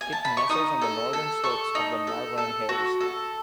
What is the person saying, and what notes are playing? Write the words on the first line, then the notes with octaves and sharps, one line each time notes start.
It nestles on the northern slopes of the Malvern Hills.
G#5
A5
B5
C#6
D#4 D#6
A4
A4
A4 C#6
D#4
A4
A4
F#4
A4